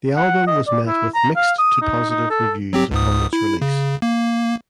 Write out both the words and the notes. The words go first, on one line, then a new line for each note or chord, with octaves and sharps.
The album was met with mixed to positive reviews upon its release.
F#5
D#5
D5
E4
A#5
F5
D#6
D#4
D#4
A4
F#3 C4 G4
C#2 G#2 D#6
E4
C#3
A#3